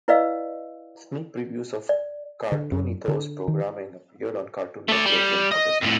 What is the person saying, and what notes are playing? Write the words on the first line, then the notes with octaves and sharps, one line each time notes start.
Sneak previews of Cartoonito’s programming appeared on Cartoon Network in August.
E4 B4 D5 D#5 F5 E6
D5
D3
F#2
D3
D#3
A3 D5
G3
D#5
F2 A2